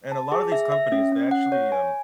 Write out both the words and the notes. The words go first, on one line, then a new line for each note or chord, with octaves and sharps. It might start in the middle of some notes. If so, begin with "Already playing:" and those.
and a lot of these companies, they actually, um,
A5
G#4
E5
E5
C#4
C#4
F#5
C#5
G#5